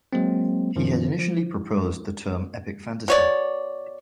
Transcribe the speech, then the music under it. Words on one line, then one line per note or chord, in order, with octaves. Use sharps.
He had initially proposed the term "epic fantasy".
F#3 G#3 A#3 C4
F#2 D#3 F3 C#4
F3
B2 C#5 D5